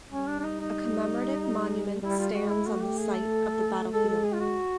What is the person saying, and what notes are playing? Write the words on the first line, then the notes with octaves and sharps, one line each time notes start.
A commemorative monument stands on the site of the battlefield.
G3 C#4
D4
D4
D#4
D#4
G3 E4
F4
F4
G#3 F#4
E4
A3 F#4
G4
G#4
A4
G#3 A4
A4
G#4
F4
F#4